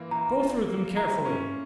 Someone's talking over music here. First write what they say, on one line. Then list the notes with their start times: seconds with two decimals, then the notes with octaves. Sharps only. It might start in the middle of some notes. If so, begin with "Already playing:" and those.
Go through them carefully.
Already playing: E3 A#3 F4
0.11 E3 A#5
0.40 F4
0.68 A#3
0.97 E4 A#5
1.25 C#4